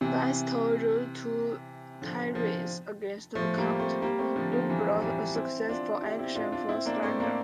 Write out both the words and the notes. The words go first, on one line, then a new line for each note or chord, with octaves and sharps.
Diestel wrote two tirades against the count, who brought a successful action for slander.
C3 E3
D3 F3
D3 F3
F3 A3
G3 A#3
A3 C4
G3 A#3
A3 C4
D3 F3
D3 F3
E3 G3
E3 G3
C4 E4
D4 F4
E4 G4
C4 E4
D4 F4
D4 F4
C4 E4
A#3 D4
A3 C4
A#3 D4